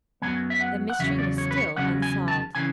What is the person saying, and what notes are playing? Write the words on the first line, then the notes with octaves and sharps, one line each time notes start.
The mystery was still unsolved.
F#2 C#3 F#3 B3 G#5
E5
F#5
F#5
E2 C#3 F#3 C#4 E5
D5
C#5
B4
C#5
E2 C#3 F#3 C#4 F#5
G#5
A5
C#3 E3 G#5